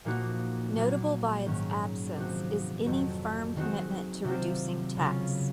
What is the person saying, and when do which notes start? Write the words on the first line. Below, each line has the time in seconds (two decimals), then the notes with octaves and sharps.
Notable by its absence is any firm commitment to reducing tax.
0.05 A#2 F3 A#3 D#4 F#4
0.75 A#2 F#3 A#3
1.46 G#2 D#3 F#3 C#4
2.16 C3 F3 C4 D#4 F#4
2.86 F2 D#3 F#3
3.56 D#3 G#3 C4 D#4 F#4
4.24 C3 F#3 C4 F4
4.97 C#3 F#3 C#4 F4